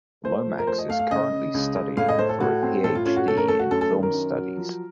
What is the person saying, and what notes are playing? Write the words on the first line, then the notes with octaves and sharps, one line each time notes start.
Lomax is currently studying for a phd in Film Studies.
A3 C5
F3
A#4
A3 C5
D#5
A3 F5
F5
C#3 D#5
C#3
C#2
C#2
A2 F5
D#5
A2 C5
A4
A2 F#4
C4
A2 A4
F4
C#4 F4
F#4
A3 A4
A#4
A3 A4
F#4
F#2 A4
A4
D#3
A#4
F#2
F#3
F3